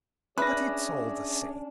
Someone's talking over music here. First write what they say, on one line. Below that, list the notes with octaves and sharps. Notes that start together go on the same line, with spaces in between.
But it's all the same.
C#4 D4 G#4 B4 C#5 D5 E5 A#6